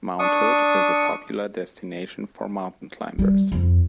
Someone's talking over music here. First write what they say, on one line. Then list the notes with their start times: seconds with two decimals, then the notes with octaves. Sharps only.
Mount Hood is a popular destination for mountain climbers.
0.19 D4 C#6 D#6
3.18 G3
3.52 F2